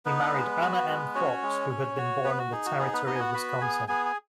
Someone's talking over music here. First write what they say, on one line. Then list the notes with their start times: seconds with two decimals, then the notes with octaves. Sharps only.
He married Anna M. Fox, who had been born in the territory of Wisconsin.
0.05 B3 D#4 B4
0.33 G#3
0.60 F#4
0.88 G#3
1.15 C#4 F#4 C#5
1.42 G#3
1.70 C#4
1.98 F#4
2.24 B3 B4
2.39 F#4
2.52 D#4 G#4
2.66 F#4
2.79 B3 G#4
2.93 B3 B4
3.06 B3 D#4 D#5
3.15 G#5
3.20 F#4 F#5
3.34 F#4 B4 B5
3.61 B3 G#4 G#5
3.88 B3 G#4 G#5
4.05 G#5